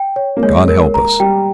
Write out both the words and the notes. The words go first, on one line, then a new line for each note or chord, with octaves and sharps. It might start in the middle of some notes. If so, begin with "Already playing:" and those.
God help us!
Already playing: G5
C#5
A#3
G#3 C#5
A#4
A#5
G3 G5